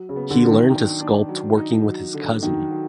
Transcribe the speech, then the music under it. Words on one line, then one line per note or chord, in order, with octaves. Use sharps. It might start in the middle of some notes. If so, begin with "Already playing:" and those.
He learned to sculpt working with his cousin.
Already playing: F#3
C#3
B3
D3
F#3
D#3
D4
D4
F#3
D#4
F#3
D3
D#3 F#3
F#3